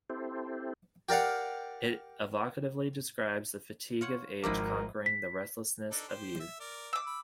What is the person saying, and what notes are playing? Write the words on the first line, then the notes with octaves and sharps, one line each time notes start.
It evocatively describes the fatigue of age conquering the restlessness of youth.
C4 E4 G4 A4 C5
G4 A#4 D5 F5 F#5
F4 C#5 F#5
G#1 F3 D#4 E4 A#4 D6
B6
D4 D#4 A4
G4 C5
E5
A#4 D5
D6 E6
B5